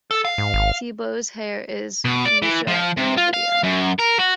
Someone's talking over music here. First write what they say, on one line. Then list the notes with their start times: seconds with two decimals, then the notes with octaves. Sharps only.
T-Boz's hair is fuchsia in the video.
0.11 A4
0.25 F5
0.38 G#2
0.54 G#1
2.05 B2
2.26 D5
2.43 E3
2.68 F3
2.97 C3
3.17 F4
3.33 F5
3.63 F#2
3.99 A#4
4.19 F#4